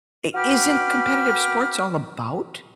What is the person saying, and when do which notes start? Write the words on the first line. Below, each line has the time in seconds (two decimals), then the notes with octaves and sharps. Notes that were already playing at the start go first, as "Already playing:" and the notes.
I Isn't competitive sports all about
0.35 F#4 B4 G5 B5 D6 F6